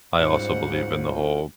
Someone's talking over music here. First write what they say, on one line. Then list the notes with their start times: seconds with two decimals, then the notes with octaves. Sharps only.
I also believe in the whole
0.20 G#2 G3 C#4 F4 F#4 C5 F#5